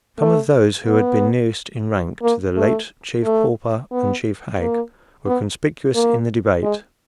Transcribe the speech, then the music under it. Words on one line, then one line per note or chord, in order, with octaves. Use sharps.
Some of those who had been nearest in rank to the late Chief Pauper and Chief Hag were conspicuous in the debate.
A3
B3
A#3
A3
A3
B3
A#3
B3
A#3
G#3